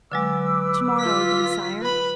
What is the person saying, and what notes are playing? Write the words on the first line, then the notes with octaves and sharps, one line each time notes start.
"Tomorrow, then, sire?"
D3 F#3 G#3 B4 D6 E6
F4 B6
B4 B5